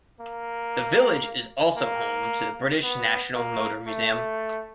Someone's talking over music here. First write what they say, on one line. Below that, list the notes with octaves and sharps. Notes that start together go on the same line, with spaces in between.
The village is also home to the British National Motor Museum.
A#3
A#3
B3
A#3
A3